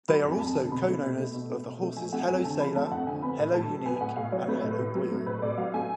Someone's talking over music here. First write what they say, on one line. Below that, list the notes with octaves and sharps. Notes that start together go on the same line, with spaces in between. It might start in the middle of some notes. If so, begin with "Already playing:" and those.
They are also co-owners of the horses Hello Sailor, Hello Unique and Hello Boyo.
F#3 B5
F2
G#5
F2 A5
D3
B2 B5
A3
B2
A3
B2
A3
B2
A3
F3 G#5
A3 F#5
F2 G#5
D3 A5
F3 B5
A3 A5
F2 F#5
D3 G#5
B3 B5
A2
A2 A5
F#3
B3 G#5
G#5
A2 F#5
A2 F5
F#3 C#5
A3 B4
A2
A2
F#3
A3
A2 B4
A2 D5
F#3 F5
A3 G#5